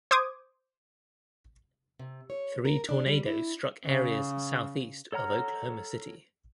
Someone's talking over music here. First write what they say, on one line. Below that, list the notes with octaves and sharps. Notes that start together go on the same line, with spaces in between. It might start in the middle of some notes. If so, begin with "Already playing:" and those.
Three tornadoes struck areas southeast of Oklahoma City.
C5 D6 D#6 G#6
C3
C#5
A#4
D4
G3
E4
C#3
A4 C#5 F#5 A#5 F6